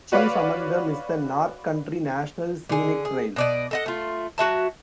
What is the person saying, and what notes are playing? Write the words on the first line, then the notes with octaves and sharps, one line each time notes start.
Chief among them is the North Country National Scenic Trail.
F#4 B4 C#5 D5 F5
D3 G#4
G#4
B2 D5 D#5
A4 D#5 F#5
A3 F4
F#3 F#4 E5 A5